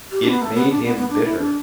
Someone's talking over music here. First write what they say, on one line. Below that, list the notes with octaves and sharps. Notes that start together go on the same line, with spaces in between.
It made him bitter.
G4
D4
B3
A3
B3
D4
B3
B3
D4
E4
D4